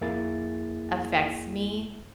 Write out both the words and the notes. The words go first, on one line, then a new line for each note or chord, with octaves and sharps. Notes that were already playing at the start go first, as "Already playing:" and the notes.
affects me,
F2 A#3 E4 G#4 A6